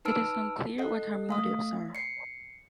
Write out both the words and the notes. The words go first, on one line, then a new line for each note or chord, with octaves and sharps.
It is unclear what her motives are.
D#4 B4 A5 E6 F6 D7
A4 D#5 F#5
A3 F5 D#6
C7 C#7